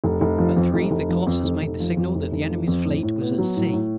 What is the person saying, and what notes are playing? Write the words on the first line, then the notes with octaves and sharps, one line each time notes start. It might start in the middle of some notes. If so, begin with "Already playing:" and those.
At three the Colossus made the signal that the Enemy's Fleet was at sea.
F1
F1
F3
F2
F1
F1
F3
F2
F1
F1
F3
F2
F1
F1
F3
F2
A2
A2
B3
F#3
A2
A2